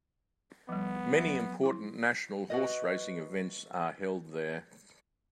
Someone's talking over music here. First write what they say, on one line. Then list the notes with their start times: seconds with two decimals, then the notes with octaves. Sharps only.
Many important national horse racing events are held there.
0.69 F3 G3 B3
1.19 F#3
1.63 E4 C6
2.50 F#4 B4 D#5